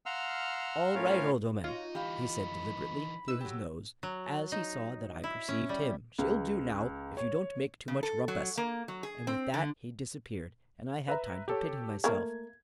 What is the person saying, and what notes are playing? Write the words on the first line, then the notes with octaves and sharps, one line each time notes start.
"All right, old 'ooman," he said deliberately through his nose, as he saw that I perceived him, "she'll do now, if you don't make too much rumpus." And with that he disappeared, and I had time to pity myself.
F5 F#5 A#5 C6 E6 F6
A2 C#4 F4 A#4 C#5 F5
D#4 F4 F#4 C#5
E3 D#4 G4 F5 B5
D#4 B4 E6
F#3 G4
F#3
D#4
E4
C#4
G3
C#2
C#5
C#3
A4
F#3
A#3
F#3
G#4
C4
D3
B4 E5 A#5
G4 A4 C#5
A3 A#3 G#6